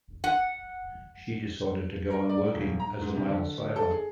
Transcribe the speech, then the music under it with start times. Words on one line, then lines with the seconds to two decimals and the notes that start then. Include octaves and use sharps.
She decided to go on working as a male sailor.
0.24 F#5
2.10 A#4
2.29 D5
2.54 D#1
2.80 A#5
3.01 G#2
3.15 C3
3.29 D3
3.76 A4
3.91 G#4